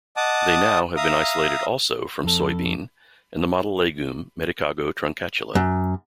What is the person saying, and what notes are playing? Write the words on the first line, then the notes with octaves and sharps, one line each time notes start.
They now have been isolated also from soybean and the model legume "Medicago truncatula".
D#5 F#5 A5 D6 D#6
E5 F5 A#5 D#6
F2 A4
F#2